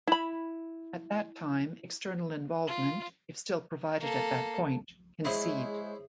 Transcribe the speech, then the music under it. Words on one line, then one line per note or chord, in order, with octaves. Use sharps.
At that time, external involvement, if still provided at that point, can cede.
E4 B5
F4
A#3 A4
G#3 E4 G#4 C5 C#5 E5